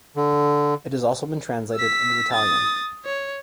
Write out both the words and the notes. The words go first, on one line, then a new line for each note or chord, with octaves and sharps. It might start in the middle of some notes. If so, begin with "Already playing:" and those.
It has also been translated into Italian.
D3
E6 B6
D#6 A6
C#5